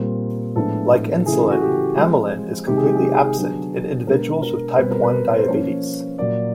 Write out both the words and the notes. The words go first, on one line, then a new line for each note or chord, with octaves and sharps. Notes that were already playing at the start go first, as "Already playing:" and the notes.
Like insulin, amylin is completely absent in individuals with Type One diabetes.
Already playing: A#2 G3 C4 A#4
A2 F3 G#3 B3 D4 A4
C#3 E3 A3 G#4
F#4
G4
F3 G#3 C4
C3 D#3 G#3 G4
G#4
G4
G#4
G4
G#4
G4
D3 F#3 B3 D4 G#4
B2 G#3 B3 D4 A#4
A#4
B2 G3 C4 B4
A#4
B4
C5
F3 A#3 C#4 C#5
A#2 F#3 A#3 D5